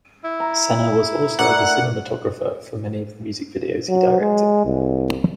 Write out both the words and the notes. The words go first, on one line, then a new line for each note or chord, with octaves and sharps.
Sena was also the cinematographer for many of the music videos he directed.
E4
A#5
A3 D4 A#4 F#5
F#3
G#3
C2